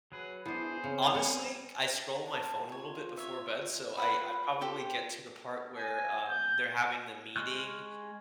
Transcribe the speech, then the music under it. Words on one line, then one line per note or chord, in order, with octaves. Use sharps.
honestly, c I scroll my phone a little bit before bed, so I I probably get to the part where, um, they're having the meeting,
F#3 G#4 B4
B3 D4 E4 G#4 C5
C#3 C4
G3 B3 G#5
A5
F4 C#5
C#5 E5
F4 B4 F#5 B5
G4 A4 C5
G#5
G6
G#3 C6 C#6 F6 F#6